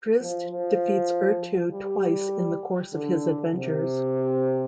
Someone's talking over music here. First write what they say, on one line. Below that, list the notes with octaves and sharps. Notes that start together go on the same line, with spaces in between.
Drizzt defeats Errtu twice in the course of his adventures.
F3
F3
G3
D3
C3